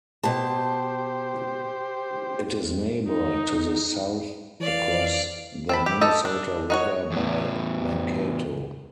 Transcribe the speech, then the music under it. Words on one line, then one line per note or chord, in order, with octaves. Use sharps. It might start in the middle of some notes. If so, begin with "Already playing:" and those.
It is neighbored to the south across the Minnesota River by Mankato.
B2 G4 C5 A5
D#4
E3 D5 F5
C4 A5 B5
G4
D#4 A4 A5
D4
D#4 F#4 C#5
E2 A2